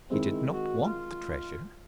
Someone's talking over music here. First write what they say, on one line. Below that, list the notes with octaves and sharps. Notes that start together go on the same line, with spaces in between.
He did not want the treasure.
D#3 G#3 C4 E4
F#4
F4